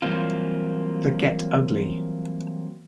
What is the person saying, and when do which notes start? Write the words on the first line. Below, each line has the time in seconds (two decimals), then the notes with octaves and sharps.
The Get Ugly!
0.02 E3 F#3 G3 A#3 C4 F4